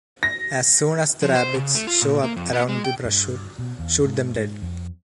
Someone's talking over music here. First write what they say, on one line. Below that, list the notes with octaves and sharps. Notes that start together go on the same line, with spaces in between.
As soon as the rabbits show up around the brushwood, shoot them dead!
A#6
F3
C5
C#3
A3
F4
A#2
A#3
F2
B3
G#3
G5
G2
B2
E2
G#2
G#2
F2